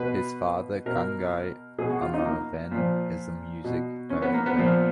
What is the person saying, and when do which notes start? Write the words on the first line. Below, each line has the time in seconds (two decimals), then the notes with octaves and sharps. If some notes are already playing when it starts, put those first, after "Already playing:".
His father Gangai Amaren is a music director.
Already playing: B2 B4
0.86 B2 A#4
1.78 B2 G#4
1.90 F#4
2.02 F4
2.14 D#4
2.25 A#3
2.71 A#2 F3
3.64 B2
4.10 C#4
4.22 B3
4.34 A#3
4.46 B3
4.57 A#2 F3